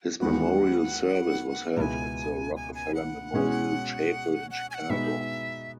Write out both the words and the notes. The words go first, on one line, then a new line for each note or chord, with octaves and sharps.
His memorial service was held at the Rockefeller Memorial Chapel in Chicago.
D#2 D#3 G#3 B3 F#4 F#5
C#2 B2 G#3 B3 E4 G#5 A#5
G#5
G#5
F#5
B2 G#3 C#4 G#4
F#5
G#5
F#5
B2 G#3 B3 D#4 E5